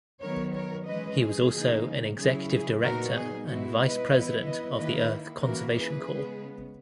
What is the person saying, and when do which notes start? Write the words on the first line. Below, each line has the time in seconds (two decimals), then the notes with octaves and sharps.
He was also an executive director and vice president of the Earth Conservation Corps.
0.22 D#3 F#3 B3 A#4 C#5
0.55 A#4 C#5
0.87 E3 G#3 C#4 B4 D#5
1.20 G#4
1.53 C#3 E3 A#3 D#4
2.16 C#3 F#3 C#4 E4 G#4
2.49 G#4
2.82 A#2 F#3 B3 D#4 F#4 A#4
3.14 G#4
3.47 B2 G#3 B3 E4 F#4
3.79 B4 D#5
4.13 E3 B3 E4
4.45 B4 D#5
4.76 D#3 A#3 E4 B4 D#5
5.41 E3 A#3 C#4 E4 F#4 A#4
5.75 G#4 B4
6.06 C#3 G#3 B3